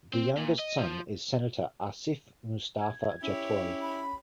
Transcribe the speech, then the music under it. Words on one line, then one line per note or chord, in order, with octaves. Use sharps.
The Youngest son is Senator Asif Mustafa Jatoi.
C4
A#2
D#5
F3
G#6
C#4 E4 G4 C#5
B5